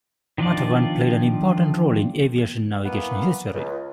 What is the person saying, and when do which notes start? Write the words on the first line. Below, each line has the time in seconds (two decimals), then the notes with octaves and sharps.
Matawan played an important role in aviation navigation history.
0.38 D#3 F3 D4 F4 D5
2.86 E3 A#3 B3
3.54 C#2